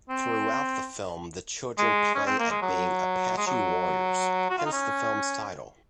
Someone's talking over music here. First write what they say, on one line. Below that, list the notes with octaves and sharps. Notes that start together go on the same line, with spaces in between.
Throughout the film the children play at being "Apache warriors", hence the film's title.
C4
G#3
C#4
C4
A#3
G#3
F#3
G#3
F#3
F#4
F4
D#4
C#4